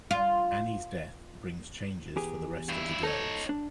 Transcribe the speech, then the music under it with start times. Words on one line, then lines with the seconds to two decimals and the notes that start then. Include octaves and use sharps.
Annie's death brings changes for the rest of the girls.
0.11 F4
2.16 E2 G4 G#4
2.69 G2 E4
3.03 D#4 A4 C#5
3.49 D4